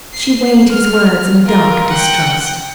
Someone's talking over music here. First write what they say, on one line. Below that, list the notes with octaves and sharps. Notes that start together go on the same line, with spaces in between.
She weighed his words in dark distrust.
C7
F6
F4 A#4
F#5 G5